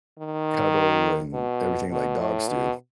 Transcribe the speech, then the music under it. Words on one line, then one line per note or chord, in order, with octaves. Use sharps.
cuddle, and everything like dogs do.
D#3
B2
B2
A2
B2